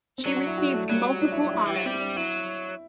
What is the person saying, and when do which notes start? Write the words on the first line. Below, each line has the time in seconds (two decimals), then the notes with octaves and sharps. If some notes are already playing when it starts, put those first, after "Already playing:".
She received multiple honors.
0.18 C4
0.26 F#3 D4
0.37 F#4
0.47 E4
0.58 F#4
0.74 A3
0.89 F#3 G3
1.22 D4
1.32 E4
1.43 D4
1.53 E4
1.66 E3 G4
1.76 F#3
1.85 G3 C4
2.01 D4
2.16 F#3 E4